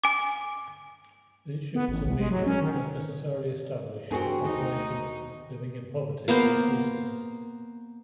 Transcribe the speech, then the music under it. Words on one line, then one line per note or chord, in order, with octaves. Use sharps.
These shifts in media don't necessarily establish the population living in poverty decreasing.
G#5 D6
B3
A1
C2
G#3
F#3
C#4
D#3
E2 G2 A3 C4 F#4 G#4 A#4
D#2 D#3 D#4
A#3 B3 A#4 C5